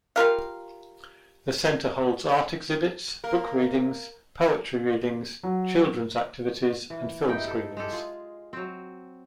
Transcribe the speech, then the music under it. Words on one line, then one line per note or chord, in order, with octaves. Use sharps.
The centre holds art exhibits, book readings, poetry readings, children's activities and film screenings.
G3 F4 A#4 F5
A#3 A#4
F#3
E3
G2 D#4 E4 G5
A4
G#3 G4 A4
F4 G#4
F#3 C4